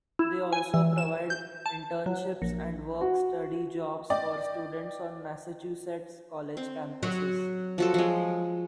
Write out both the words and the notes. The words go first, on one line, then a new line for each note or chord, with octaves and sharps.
They also provide internships and work study jobs for students on Massachusetts college campuses.
E4
G#5
E3
E7
G6
A5
F#3
A#1
F#4
D5 D#5 G5 D6
C4
F#3
F3 F#4 A4
F3 G#3